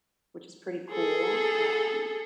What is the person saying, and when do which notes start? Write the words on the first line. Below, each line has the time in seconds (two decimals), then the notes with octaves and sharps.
which is pretty cool. Um,
0.91 G#4 A4